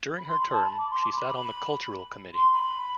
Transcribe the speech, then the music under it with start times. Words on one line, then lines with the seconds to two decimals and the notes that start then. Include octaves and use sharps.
During her term she sat on the Cultural Committee.
0.18 B5
0.28 C6
0.40 B5
0.52 A5
0.65 B5
0.78 D6
0.90 C6
1.02 D6
1.15 B5
1.28 B5
2.34 C6
2.53 B5